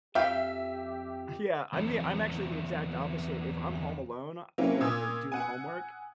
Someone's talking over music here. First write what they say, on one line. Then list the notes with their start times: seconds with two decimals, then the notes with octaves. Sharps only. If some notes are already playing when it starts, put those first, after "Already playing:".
Yeah, I'm the I'm actually the exact opposite. If I'm home alone or doing homework,
0.15 F2 F3 G4 E5 F5 G5
1.73 E2 C4
4.58 F#3 A#3 C4 C#4 E4 F4
4.80 A#2 D#6 E6 G#6
5.32 F#5 G#5